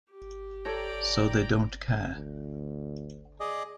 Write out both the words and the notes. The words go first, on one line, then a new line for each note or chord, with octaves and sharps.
So they don't care.
G4
A4 C#5 D5 G5 A5 A#5
D2
G#4 D5 D#5